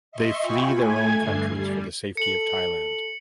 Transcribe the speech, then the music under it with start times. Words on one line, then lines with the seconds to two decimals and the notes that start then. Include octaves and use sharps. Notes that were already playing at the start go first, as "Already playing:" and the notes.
They flee their own countries for the safety of Thailand.
0.12 D#5 E5 C6 C#6
0.41 F4 G5 G#5 B5 C#6
0.73 A3 G#5 G#6
1.18 G2 D3 C7
1.48 G3
2.17 A4 C#7 F#7